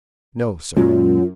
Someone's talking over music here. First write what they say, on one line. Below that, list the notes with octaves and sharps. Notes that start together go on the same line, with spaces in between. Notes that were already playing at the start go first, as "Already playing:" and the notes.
"No, sir."
F#2 A#2 F#3 G#3 F4